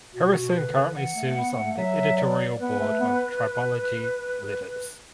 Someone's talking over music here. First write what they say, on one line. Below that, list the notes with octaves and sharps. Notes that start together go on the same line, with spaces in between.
Harrison currently serves on the editorial board of Tribology Letters.
B2 F#4
B2
B4
D3
E3 F#5
A3
B3
A3
F#3 E5
D5
B3 B4
A3
B3